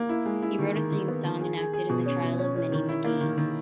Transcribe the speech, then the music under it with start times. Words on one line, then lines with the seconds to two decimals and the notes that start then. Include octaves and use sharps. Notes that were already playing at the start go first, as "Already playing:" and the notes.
He wrote the theme song and acted in "The Trial of Minnie MacGee".
Already playing: A#3
0.09 E4
0.26 G#3
0.42 E4
0.59 D#3
0.75 D#3
0.92 D#3
1.08 B3
1.24 D#3
1.41 G#4
1.57 G#4
1.73 G#4
1.90 B2
2.06 C#4
2.23 B2
2.39 C#4
2.56 C#4
2.72 D#3
2.89 E4
3.04 A#3
3.21 D#3
3.38 D#3